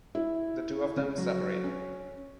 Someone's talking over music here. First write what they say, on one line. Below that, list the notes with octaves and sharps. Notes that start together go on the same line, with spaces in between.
The two of them separate.
E4
C#3
F#3
C#4